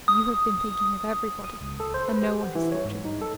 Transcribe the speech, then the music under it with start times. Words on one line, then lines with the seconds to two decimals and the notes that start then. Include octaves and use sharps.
'You have been thinking of everybody, and no one has thought of you.
0.08 D#6
1.44 D#6
1.61 C#2
1.80 A4
1.94 C5
2.08 B4
2.22 G4
2.43 F#5
2.55 E3
2.72 C#5
2.85 G#2
3.05 D#4
3.22 A4